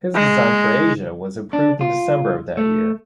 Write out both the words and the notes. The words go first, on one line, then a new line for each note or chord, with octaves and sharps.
His design for "Asia" was approved in December of that year.
G#3
D4
F4
A3